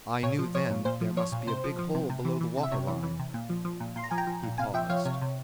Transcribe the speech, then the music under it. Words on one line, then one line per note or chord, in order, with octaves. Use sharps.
I knew then there must be a big hole below the water-line.' He paused.
A#2 C#5
F3
F3 C#5
A#2
A#2 C5
F3
F3 C#5
A#2
C3 C5
F3
F3
C3
C3
E3
E3
C3
E5
C3 C#5
E3
E3
C3
A#2
F3
F3
A#2
A#2 C6
A#5
F3 G#5
G5 A#5
F3
A#2
C3 F5 G#5
F3 E5 G5
F3 C#5 F5
C3 C#5
C3